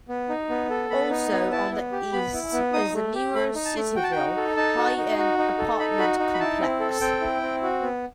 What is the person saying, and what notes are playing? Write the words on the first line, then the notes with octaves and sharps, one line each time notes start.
Also on the east is the newer Cityville high-end apartment complex.
B3
D#4
B3
A4
B3 B5
D#4
B3
E4 A5
B3
G4
B3 B5
E4
B3
D#4 D#6
A3
G4
A3 B5
D#4
A5
A3
F#4 G5
A5
D#4 G5
A4
D#4 A5
F#4
D#4
F#4
D#4
A4
D#4 B5
F#4 B5
D#4
B5
E4 A5
C4
A4
C4 G5
E4
C4
F#4
B3